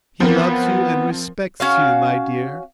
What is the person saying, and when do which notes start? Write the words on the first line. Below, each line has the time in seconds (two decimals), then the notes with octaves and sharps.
He loves you and respects you, my dear.
0.20 F3 B3 C4 A#4
1.60 C#4 F#4 F5